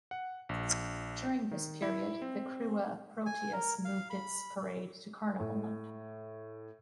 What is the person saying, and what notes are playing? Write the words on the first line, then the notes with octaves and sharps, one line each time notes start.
During this period, the Krewe of Proteus moved its parade to Carnival night.
F#5
A#1
D#3
E4
C4
G#5
A#4
F5
B5
A2